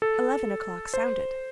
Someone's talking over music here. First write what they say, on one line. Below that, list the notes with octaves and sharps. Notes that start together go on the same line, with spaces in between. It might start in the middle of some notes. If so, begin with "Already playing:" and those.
Eleven o'clock sounded.
A4
C5